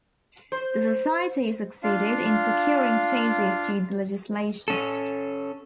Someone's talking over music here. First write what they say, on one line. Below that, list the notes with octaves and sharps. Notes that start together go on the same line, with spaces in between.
The Society succeeded in securing changes to the legislation.
C5
D4 F4 F5
C#4 A4